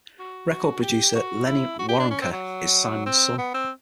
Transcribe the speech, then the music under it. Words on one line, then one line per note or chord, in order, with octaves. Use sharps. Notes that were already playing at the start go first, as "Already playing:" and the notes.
Record producer Lenny Waronker is Simon's son.
F#4
F#4
G4
F#4
E4
F#4
G4
D4
C#4
C4
F#3
C4
B3
C4